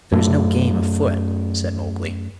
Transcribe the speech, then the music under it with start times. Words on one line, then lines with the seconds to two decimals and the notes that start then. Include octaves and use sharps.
"There is no game afoot," said Mowgli.
0.12 F#2 A3